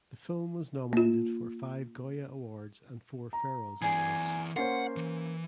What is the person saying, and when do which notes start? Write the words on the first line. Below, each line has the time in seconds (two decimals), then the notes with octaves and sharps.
The film was nominated for five Goya Awards and four Feroz Awards.
0.93 A#3 F4
3.33 A#5
3.82 E3 G#4 D5 G#5
4.56 A#3 C#4 C5 F#5 C6
4.96 E3